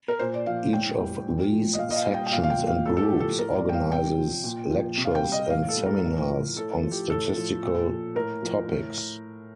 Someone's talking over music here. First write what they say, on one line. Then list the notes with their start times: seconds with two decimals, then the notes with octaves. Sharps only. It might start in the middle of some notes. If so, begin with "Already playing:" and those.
Each of these sections and groups organises lectures and seminars on statistical topics.
0.08 A#4
0.19 A#2 C5
0.34 D5
0.46 F3 F5
0.73 A2 G5
1.00 G3
1.27 A#2
1.52 F3
1.73 D#5
1.79 A#2 F5
1.91 D#5
1.96 F5
2.06 G3
2.14 G5
2.27 G5
2.32 A#2 F5
2.44 F5
2.50 G5
2.58 F3
2.67 F5
2.85 A2 A4
2.97 A4
3.03 G4
3.12 F3
3.20 A4
3.38 A2 A#4
3.56 D5
3.65 G3 G5
3.74 F5
3.91 C3 G5
4.18 F3
4.44 A#2
4.70 F3
4.97 C3
5.05 F5
5.15 G5
5.24 G3
5.32 D#5
5.50 A2 F5
5.69 A4
5.77 G3
5.86 A#4
6.03 A2
6.30 F3
6.56 A2 A4
6.83 F3
6.91 G4
7.09 A2 A4
7.36 F3
7.62 A#2
7.89 F3
8.15 A2 A#4
8.43 F3
8.68 A2